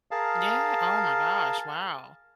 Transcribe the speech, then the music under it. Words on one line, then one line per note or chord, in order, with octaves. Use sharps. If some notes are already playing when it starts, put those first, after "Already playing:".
Yeah, oh my gosh, wow.
G#4 A#4 F5 A5